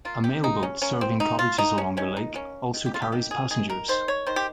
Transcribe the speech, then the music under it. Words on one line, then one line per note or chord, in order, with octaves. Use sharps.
A mailboat serving cottages along the lake also carries passengers.
A#3 F4
G4
A#3 D#4
C#4
A#3 C#4
C4
A#3 D#4
F4
A#3 D#4
C#4
D#3 C#4
D#4
A#3 C#4
D#3
G4
F4
G4
D#3 G4
G#4
D#3 G#4
A#4
D#3 C5
C#5
D#3 C5
G4